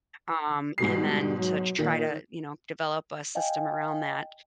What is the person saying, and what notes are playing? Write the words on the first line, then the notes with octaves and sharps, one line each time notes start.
um, and then to try to, you know, develop a system around that,
G#2 B2 G3 C7
F#3
A#2 D#3
D#5 F5 G5 G#5